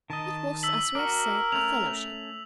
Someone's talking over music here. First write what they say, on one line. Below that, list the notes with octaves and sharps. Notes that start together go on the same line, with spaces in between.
It was, as we have said, a fellowship.
D#3 D#5 A5
E6 B6 F#7
D4 F#4 A#4
A3 C#4 F7